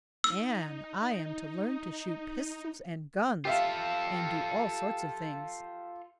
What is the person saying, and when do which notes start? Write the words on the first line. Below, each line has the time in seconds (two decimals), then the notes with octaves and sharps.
And I am to learn to shoot pistols and guns, and do all sorts of things.
0.24 D#4 E6
3.45 F4 G4 A4 E5 F5